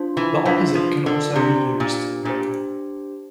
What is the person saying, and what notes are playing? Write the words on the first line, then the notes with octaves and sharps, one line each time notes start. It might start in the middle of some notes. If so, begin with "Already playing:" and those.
The opposite can also be used.
Already playing: D4 F4 C5
E3
E3 D4 F4 C5
F3
D3
C3 D4 G4 C5
A#2
A#2 D4 G4 C5